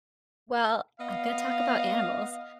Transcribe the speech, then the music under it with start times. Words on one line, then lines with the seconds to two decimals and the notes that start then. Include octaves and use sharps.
Well, I'm gonna talk about animals.
1.00 B3 D#5 F5